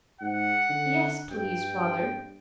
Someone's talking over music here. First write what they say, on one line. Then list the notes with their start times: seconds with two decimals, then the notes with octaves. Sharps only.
"Yes, please, Father."
0.21 G#2 F#5
0.69 D3
1.32 G2 G5